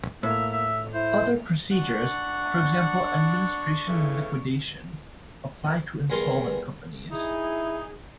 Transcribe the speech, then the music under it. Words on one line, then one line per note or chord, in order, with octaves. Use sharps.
Other procedures, for example administration and liquidation, apply to insolvent companies.
A2 A#3 E5
E5
E4 C5
D4 F#5 C#6
A2 C#3 E3
E2 G2 A#4 G#5 C6
D#4 E4 G#4